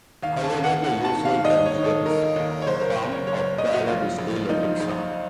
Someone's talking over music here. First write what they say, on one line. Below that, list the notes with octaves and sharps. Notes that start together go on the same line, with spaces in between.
However, the usual term for this form of ballad is still epic song.
D#2 F5
A5
D#2
F#5
D#3 F#5
A5
D#3
F5
D#2 D#5
C#5
D#3
A4
D#3 A#4
D#2
C#5
F#1 C5
A#4
F#1 C5
C#5
F#1 C#5
F#1 D#5
F#4
A#1 F4
A#1
F3 D#4
A#1